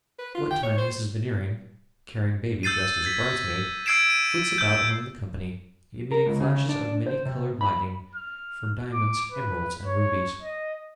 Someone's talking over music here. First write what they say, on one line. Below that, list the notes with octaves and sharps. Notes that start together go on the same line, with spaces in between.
What time Mrs Veneering, carrying baby dressed as a bridesmaid, flits about among the company, emitting flashes of many-coloured lightning from diamonds, emeralds, and rubies.
B4
F4
G5
C#5
C5
E6 G6 A6 C7 D#7
G#6 B6
E6 G#6 C7 D7 E7
D#7
E6 G6
A#4
C#2
C#3
D4
C5
C3
B5
F6
D6
B4
C#5
D#5